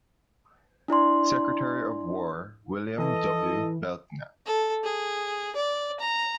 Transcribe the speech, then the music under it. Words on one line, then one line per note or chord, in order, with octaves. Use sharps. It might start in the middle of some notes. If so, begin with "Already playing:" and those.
Secretary of War William W. Belknap.
D4 E4 D5 C6
E3 A4 D#5
A4
G#4
D5
A#5